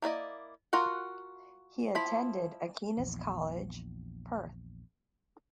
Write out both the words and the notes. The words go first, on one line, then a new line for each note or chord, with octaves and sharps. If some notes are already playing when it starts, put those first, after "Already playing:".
He attended Aquinas College, Perth.
A#3 E4 D5 D#5
F4 F#4 A#4 F#5
F3 E4 B5
A#1 E2